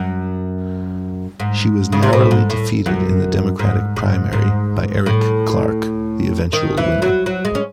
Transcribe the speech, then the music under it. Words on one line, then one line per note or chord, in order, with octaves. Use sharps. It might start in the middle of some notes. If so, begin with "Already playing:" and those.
She was narrowly defeated in the Democratic primary by Eric Clark, the eventual winner.
Already playing: F#2
G#2
C#3
C3
A2
G#2
A2
F#2
G#2
G#2
G#2
A2
D#3
E3
F#3
F#3
G#3
C#4